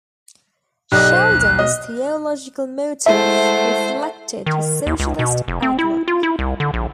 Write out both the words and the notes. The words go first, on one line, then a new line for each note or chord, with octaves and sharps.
Sheldon's theological motif reflected his socialist outlook.
B1 G4 D5 D#5 F#6
C5
A#1 D#2
B2 D#5
G#3 A3 E4 C5 E5 F#5 A5
D#3
D#2
C#2
B2
F1
C4
E4
F4
E4
C2
D3
A#1